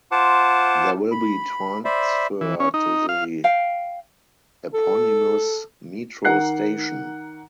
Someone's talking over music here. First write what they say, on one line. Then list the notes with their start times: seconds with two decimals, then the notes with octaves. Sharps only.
There will be transfer to the eponymous metro station.
0.11 F4 C5 F#5 A5 D6
1.11 B5
1.85 C5 D5 E5 B5
2.41 E3
2.60 C#4
2.74 D#4
3.09 F5
3.44 F5 G5
4.74 A4
6.25 D#3 A#4 F#5 F#6 C7